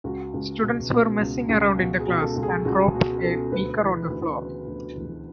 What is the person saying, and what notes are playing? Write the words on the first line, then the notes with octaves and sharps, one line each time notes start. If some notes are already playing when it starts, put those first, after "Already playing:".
Students were messing around in class and dropped a beaker on the floor.
C#2 F#4
C#2
B2
B2
C#2
C#2
B2 F#4
G#4
B2
A4
C#2
G#4
C#2 F#4
B2 F#4
B2 A4
D2 B4
E3
D2
C#3
D2
E3